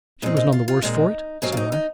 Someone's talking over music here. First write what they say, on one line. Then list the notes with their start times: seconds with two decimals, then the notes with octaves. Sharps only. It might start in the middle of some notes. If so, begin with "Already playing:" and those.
"She was none the worse for it," said I.
0.22 A#2 G#3 C4 D#4
0.37 D#4
0.52 F4
0.68 F4
0.82 A#2 G#3 C4 D#4
1.42 G#2 F#3 C4 C#4
1.52 F4
1.57 D#4
1.72 D#4